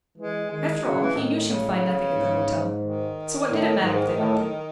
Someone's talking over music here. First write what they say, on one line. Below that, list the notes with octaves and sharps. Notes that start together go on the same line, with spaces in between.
After all, he knew she would find nothing at the hotel--so what did it matter if they went there?
E3 G#3
D#3 G#3
C#3 F#3
E3
A2 D#3
D#3
C#3
G#2
D#3
A2
G#2
A2